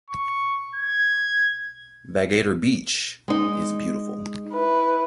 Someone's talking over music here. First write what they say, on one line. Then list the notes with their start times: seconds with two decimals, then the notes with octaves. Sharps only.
Vagator beach is beautiful.
0.10 C#6
0.75 G#6
3.28 G#3 D#4
4.53 E4 B4